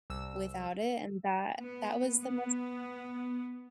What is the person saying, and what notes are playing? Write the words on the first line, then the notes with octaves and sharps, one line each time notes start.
without it, and that that was the most
C2 E6
B3
B3